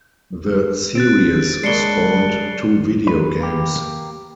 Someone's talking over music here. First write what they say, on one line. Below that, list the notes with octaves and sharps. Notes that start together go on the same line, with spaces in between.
The series spawned two video games.
C4 F#6 A6 D7
C#3 G#3 A#3 D4 C7 C#7 G7
B4
A#3 G4